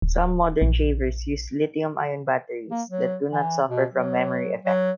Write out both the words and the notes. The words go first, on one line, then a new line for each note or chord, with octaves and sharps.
Some modern shavers use Lithium-ion batteries that do not suffer from memory effect.
D1
A#1
A#3
F#3
E3
B2
F#3
F#3